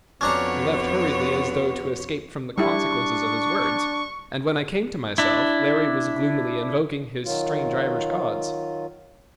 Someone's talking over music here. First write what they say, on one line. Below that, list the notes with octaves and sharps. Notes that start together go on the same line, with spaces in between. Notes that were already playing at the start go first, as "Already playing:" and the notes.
He left hurriedly, as though to escape from the consequences of his words, and when I came to myself Larry was gloomily invoking his strange Irish gods.
F2 D3 B3 C#4 D4 F#4 C#5 A#5
G3 D4 E4 C#6
D4 E4
D#3 F#3 F4